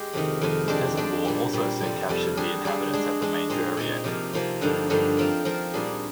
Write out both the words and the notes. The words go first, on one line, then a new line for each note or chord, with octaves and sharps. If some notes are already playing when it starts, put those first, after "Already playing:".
The peasant war also soon captured the inhabitants at the Maindreieck.
Already playing: G#3 G4
F2 C3 D#3
F2 C3 D#3
G#3 D4 G4 D5
G#3 D4 G4 D5
A#2 G3 C4
A#2 G3 C4
F2 C3 G3
F2 C3 G3
G3 D4 G#4
G3 D4 G#4
G#3 D4 G#4
G#3 D4 G#4
A#2 G#3 C4 D#4
A#2 G#3 C4 D#4
C3 F3 A#3 F4
C3 F3 A#3 F4
G2 D3 F3 A#3 D#4
G2 D3 F3 A#3 D#4
F3 C4 F4 A#4
F3 C4 F4 A#4
A#2 G3 D4 G#4